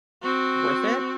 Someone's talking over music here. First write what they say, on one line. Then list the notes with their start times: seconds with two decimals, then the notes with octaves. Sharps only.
worth it?
0.22 C4 F#4